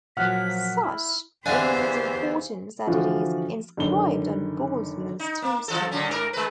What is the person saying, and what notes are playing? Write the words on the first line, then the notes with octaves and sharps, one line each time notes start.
Such is its importance that it is inscribed on Boltzmann's tombstone.
A#2 F3 F#3 F#5 F6 F#6 B6
E4
E2 D3 E3 D4 G4 C5 F5 G#5
D3 E3 F3 F4 F#4
F#1 D3 D#3 G7
D#4
A#3
E3 F3 A4
A#2 D3 C#4
G#2 A#4
G#3 B4